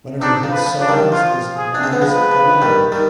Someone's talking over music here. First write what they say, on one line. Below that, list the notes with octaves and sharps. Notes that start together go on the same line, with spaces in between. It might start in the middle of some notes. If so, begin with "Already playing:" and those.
One of her hit songs is Nanas Banana.
C4 D4 D#4
F3
B4
F3
D4
D#3 G3
F3 F4
G#4
D4
C4
B3
F3 G#3 B4
F3
D#3 G3
D#3 G3